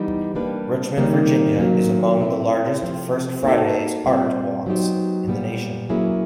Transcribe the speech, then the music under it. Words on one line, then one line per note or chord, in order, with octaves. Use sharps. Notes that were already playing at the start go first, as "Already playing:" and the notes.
Richmond, Virginia is among the largest First Fridays art walks in the nation.
Already playing: E3 G3 B3 D#4
G3 A#3 D4 G4 B4
C3 D#3 G3 A#3 D#4
D#3 F#3 A#3 C#4
A3 C4 E4
C3 F3 A3 C4
A#3 D#4 F#4 A4
A#2 G3 C4 F4
F#3 B3 D#4 G4 C5
A#2 G3 B3
F#3 A#3 C#4 E4 G#4